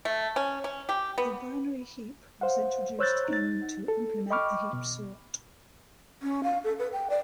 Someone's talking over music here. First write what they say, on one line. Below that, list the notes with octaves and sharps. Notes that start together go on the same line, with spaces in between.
The binary heap was introduced in to implement the heapsort.
A3
C#4
C#4
G4
B3
C5 F5 F#5
C5 C#5 E6 F#6 G6 A6
D#4 A6
A4
D#5 G5 B5 C#6 D6 F6
B2
C#4
F5
A4
B4
G5
D5